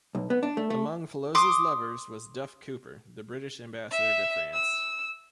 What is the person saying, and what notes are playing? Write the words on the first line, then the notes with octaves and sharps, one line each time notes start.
Among Fellowes's lovers was Duff Cooper, the British ambassador to France.
B1
B3
D4
A3
A3
C6 D6 D#6
E5
E6